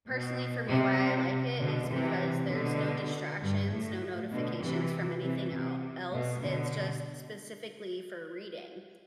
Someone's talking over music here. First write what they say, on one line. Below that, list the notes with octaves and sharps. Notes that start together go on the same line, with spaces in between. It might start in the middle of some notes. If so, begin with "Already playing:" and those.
personally for me, why I like it is because there's no distractions, no notifications from anything el else, it's just specifically for reading,
B2
C3
B2 D3
C3 E3
B2 D3
G2
A2
B2 D3
C3 E3
C3 E3
C3
B2
B2 D3